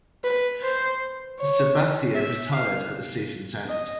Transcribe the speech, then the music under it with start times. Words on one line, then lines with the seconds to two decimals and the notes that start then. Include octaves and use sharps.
Sabathia retired at the season’s end.
0.24 B4
0.62 C5
1.39 C#5
2.15 E5
2.53 F5
3.68 D#5